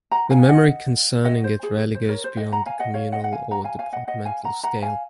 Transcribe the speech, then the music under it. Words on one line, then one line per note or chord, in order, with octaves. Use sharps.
The memory concerning it rarely goes beyond the communal or departmental scale.
F#5 A#5
F5 G#5
G#5
D#5 F#5
D#5 F#5
C5
G#4
C5
A#4 C#5
C5
D#5 F#5
F#5 A#5
F5 G#5
D#5 F#5
C#5 F5
D#5 F#5
F#5
F5 G#5
F#5 A#5
F5 G#5
F5 G#5
D#5 F#5
D#5 F#5
F5 G#5
F#5 A#5
F#5 A#5
F5 G#5